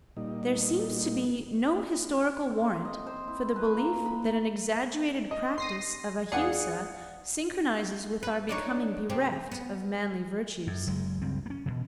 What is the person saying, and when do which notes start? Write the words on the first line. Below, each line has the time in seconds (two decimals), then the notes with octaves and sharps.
There seems to be no historical warrant for the belief that an exaggerated practice of Ahimsa synchronises with our becoming bereft of manly virtues.
0.17 A#2 G3 D#4
2.50 C4
2.85 D#5
3.07 C5
3.28 E4
3.56 B4
3.77 A#3
4.06 B5
5.31 D#5
5.58 C6 D#6 A#6 C7
6.32 E2 G#4 D5 F5 F#5 C#7
8.23 B4
8.49 D4 D#4 C#5
9.10 C3 C4
9.52 B3
10.67 F#2
10.87 F#1 F#2 G#3
11.22 C#2 G2 C4
11.46 A#3 C#4
11.66 E1 F#2 B2